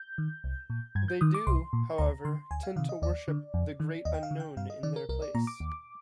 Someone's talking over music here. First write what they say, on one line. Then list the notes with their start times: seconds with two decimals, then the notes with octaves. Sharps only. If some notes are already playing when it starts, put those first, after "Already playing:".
They do, however, tend to worship "The Great Unknown" in their place.
Already playing: G6
0.18 D#3
0.44 C2
0.70 A#2
0.95 G2 G#6
1.08 G6
1.21 D#3 D#6
1.34 D6
1.47 C2 C6
1.73 A#2
1.98 D2 A#5
2.25 D3 C6
2.51 D2 G#5
2.63 F5
2.76 C3 D#3 F5
2.89 D#5
3.02 D#2 D5
3.28 D3
3.54 F2
3.80 D#3
4.05 D#2 D#5
4.14 G5
4.23 F5
4.31 D3
4.40 G5
4.57 G2 F5
4.70 D#5
4.83 D#3 D5
4.96 A#4
5.09 C2 A#4
5.22 D5
5.35 A#2 A#5
5.47 D6
5.60 D#2